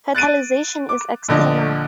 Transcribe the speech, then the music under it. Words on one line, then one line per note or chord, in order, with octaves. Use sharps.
Fertilization is external.
F#6 A6 D7 D#7
D6
A#1 D3 D#5